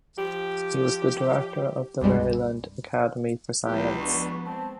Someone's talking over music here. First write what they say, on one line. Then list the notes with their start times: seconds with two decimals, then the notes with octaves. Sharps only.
He was the director of the Maryland Academy of Science.
0.17 F3 G4
2.01 C2 G2 G3 G#3
3.65 C#2 F3 G#3 B3 E4 G4
4.00 D4 C#6
4.46 C4 A5